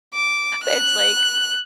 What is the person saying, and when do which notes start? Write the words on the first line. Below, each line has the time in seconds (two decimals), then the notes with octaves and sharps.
it's like
0.14 D6
0.63 F#6